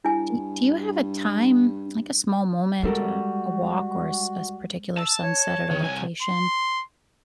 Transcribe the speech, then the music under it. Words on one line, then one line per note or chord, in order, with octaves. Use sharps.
Do y do you have a time, like a small moment, uh, a walk or a s a s particular sunset at a location
G2 E4 G#5
G3 G#3 F#4 A4 A#4
A5 E6
C#5
D#3
C2 G#5
C6